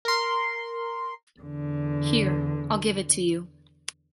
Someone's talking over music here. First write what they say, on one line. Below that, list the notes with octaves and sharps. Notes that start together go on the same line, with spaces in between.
Here, I’ll give it to you.
A#4 C6
E2 D3